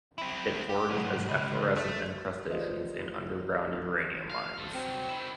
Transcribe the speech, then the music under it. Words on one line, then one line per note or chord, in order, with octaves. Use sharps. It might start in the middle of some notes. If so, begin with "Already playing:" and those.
It forms as efflorescent encrustations in underground uranium mines.
C4 E4
G4
B1 G#2
C#2
A3
F4 G4 B4 C5 D5 D#5
F5
C4 A4
C2 F#3 C4
D#3 E4